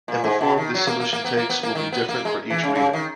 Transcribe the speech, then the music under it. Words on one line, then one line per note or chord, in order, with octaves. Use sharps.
And the form this solution takes will be different for each reader.
A#2
G#2
B2
D#3
F#3
A#3
A#3
A#3
B3
A#3
B3
A#3
D#3
B3
A#3
G#3
E3
C#3
C#3
D#3